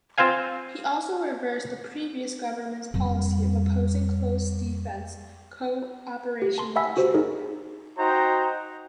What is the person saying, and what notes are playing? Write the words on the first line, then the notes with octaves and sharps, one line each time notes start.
He also reversed the previous government's policy of opposing close defence co-operation with Australia.
C4 F4 C5 F5 G#5
F2 G3
G4
A5 C6
E5 F#5 G#5 B5 E6 B6
F#4 G4 C5
D#4 G#4 A#4
D#4 F#4 C5 G5 A#5